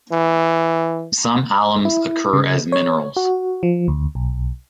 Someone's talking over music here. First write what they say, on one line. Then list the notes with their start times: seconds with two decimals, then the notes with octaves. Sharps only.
Some alums occur as minerals.
0.12 E3
1.85 E4
2.33 C#3
2.72 C#5
3.16 F#4
3.63 F3
3.88 D2
4.15 B1